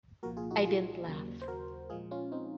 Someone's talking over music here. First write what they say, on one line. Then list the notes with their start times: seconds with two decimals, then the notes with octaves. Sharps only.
I didn’t laugh.
0.23 C2 A#2 F3 A#3 F#4 A#4
0.37 F4 G#4
0.50 D#4 F#4
0.65 F4 G#4
1.07 D#2 C#3 F#3 A#3
1.42 C5
1.48 F#4 A#4
1.90 A#2 F3 G#3 F4 G#4
2.11 C#4 F4
2.32 C4 D#4